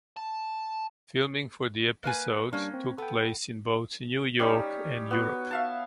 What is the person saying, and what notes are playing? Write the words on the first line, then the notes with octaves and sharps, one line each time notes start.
Filming for the episode took place in both New York and Europe.
A5
A#3 B4 G#5
G3 A#3 C#4 D4
C4
B3 A4 G5
G3 C#4 D#4 D#6
B3 F#4
E5 F5 A5